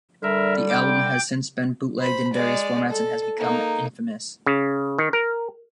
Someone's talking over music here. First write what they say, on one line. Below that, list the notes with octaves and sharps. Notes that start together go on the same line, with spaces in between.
The album has since been bootlegged in various formats and has become infamous.
D3 G3 A#4 E5
G5 D6
C5 B5
G#3 D5
A4
A#3 D#4
C#3
D#3
A#4